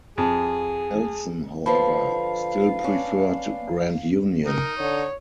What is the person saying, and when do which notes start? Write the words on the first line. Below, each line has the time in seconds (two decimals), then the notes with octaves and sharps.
Nelson, however, still preferred Grand Union.
0.18 F2 G#4
1.66 D3 F3 B4 F5 A5 B5
2.84 C#4 D4
4.46 D#4 A#4
4.80 D3 C#5